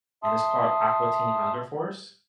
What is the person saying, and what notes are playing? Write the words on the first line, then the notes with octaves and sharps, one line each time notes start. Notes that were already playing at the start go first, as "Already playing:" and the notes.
And it's called "Aqua Teen Hunger Force."
E5 A5 C6 D#6